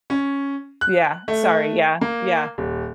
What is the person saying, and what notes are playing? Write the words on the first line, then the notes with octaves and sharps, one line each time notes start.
Yeah. Sorry, yeah, yeah.
C#4
F#6
A3
A#3
D#1